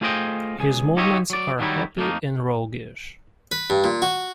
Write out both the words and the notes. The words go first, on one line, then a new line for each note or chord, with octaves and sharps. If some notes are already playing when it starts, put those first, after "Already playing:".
His movements are happy and roguish.
A3 F4 G#4 C5 D#5 G5
C#2 G#4
D#4 F4 G4 C#5 D#5 E5
F#3 D5
D#3 F#3 G3 D#4 E4
F2 A3 A#3 D#4
B4
G2
A#2
F#4